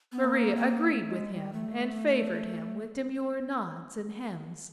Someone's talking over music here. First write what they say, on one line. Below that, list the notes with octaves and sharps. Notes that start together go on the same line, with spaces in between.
Maria agreed with him and favoured him with demure nods and hems.
B3
A#3
A#3
A3
G#3
G3
A3